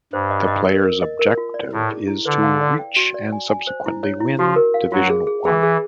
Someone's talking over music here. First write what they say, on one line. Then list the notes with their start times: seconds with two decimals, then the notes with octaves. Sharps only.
The player's objective is to reach, and subsequently win, division one.
0.13 G2 C5
0.31 D#5
0.48 D#5
0.66 A#4
0.84 A#4
1.02 D#5
1.19 A#4
1.38 F4
1.54 D5
1.72 A2 E4
1.90 G#4
2.07 E4
2.25 D3 B4
2.43 F5
2.61 D5
2.79 G5
2.96 F#4
3.14 D5
3.32 G#5
3.49 G#5
3.67 C5
3.86 E4
4.03 C#5
4.20 E4
4.39 F3 F#4
4.56 A#4
4.74 F5
4.92 F#3 F4
5.10 G#4
5.27 G#4
5.45 E3 G#4
5.63 G#4